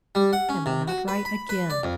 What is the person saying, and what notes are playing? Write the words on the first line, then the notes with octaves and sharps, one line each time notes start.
Am I not right again?
G3
F#5
C#4
C3
F#4
B4
B5
B4
D5
F2